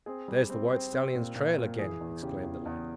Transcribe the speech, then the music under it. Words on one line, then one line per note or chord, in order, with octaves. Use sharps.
"There's the white stallion's trail again," exclaimed the lad.
C4 G#4
G3
C4
C4
C4
A#2
A#2
A#2
E3 G#4
E2
C#3 G4
E2
E2